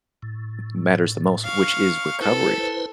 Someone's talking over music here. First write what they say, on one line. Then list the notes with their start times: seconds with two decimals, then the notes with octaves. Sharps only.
matters the most, which is recovery.
0.23 A2
1.44 F5 C#6
2.21 E4 A4 B4 C5